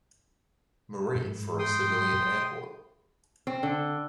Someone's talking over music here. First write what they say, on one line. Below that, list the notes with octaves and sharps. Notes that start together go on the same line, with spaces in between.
Marie for a civilian airport.
G#2
G5 C6 D#6
C4
D3